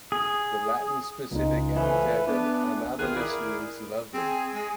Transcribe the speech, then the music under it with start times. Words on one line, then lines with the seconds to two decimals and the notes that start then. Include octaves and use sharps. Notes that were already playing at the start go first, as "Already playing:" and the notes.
The Latin specific epithet of "amabilis" means lovely.
0.12 G#4
1.31 C#2 G#3 D#4
1.76 E3 F3 A3 B4 E5 G#5
2.27 B3 D4
2.99 D#3 B3 F4 G#4 F#6
3.17 E4 G#4 A#4 D5
4.14 C4 G#4
4.53 G#3